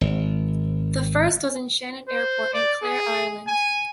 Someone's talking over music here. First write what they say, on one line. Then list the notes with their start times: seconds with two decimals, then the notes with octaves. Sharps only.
The first was in Shannon Airport in Clare, Ireland.
0.01 G#1
2.09 C5
2.54 D5
2.83 G#4
3.48 G#5